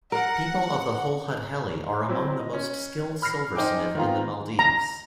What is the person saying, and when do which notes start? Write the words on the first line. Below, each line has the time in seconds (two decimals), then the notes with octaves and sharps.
People of Hulhudheli are among the most skilled silversmith in the maldives.
0.12 A#4 F#5
2.08 F#3 C4 E4
2.39 D#5
2.53 C#4
3.22 B5 F6 A#6 C7
3.55 D#4 C5 G5 G#5 D6
3.95 D#3 B3 C4 F4 A#5
4.59 A#5